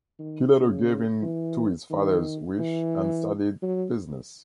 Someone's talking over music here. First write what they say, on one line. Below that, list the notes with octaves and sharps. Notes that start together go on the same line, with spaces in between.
He later gave in to his father's wish and studied business.
D#3
C#3
E3
D#3
E3
F#3